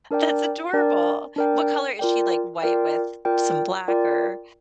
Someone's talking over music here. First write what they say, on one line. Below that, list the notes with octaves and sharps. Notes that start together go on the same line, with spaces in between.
that's adorable. What color is she, like, white with some black, or
D4 A#4 D5 G5
D4 A#4 D5 G5
D4 A#4 D5 G5
F4 A#4 D5 G5
F4 A#4 D5 G5
F4 A#4 D5 G5
F4 A#4 D5 G5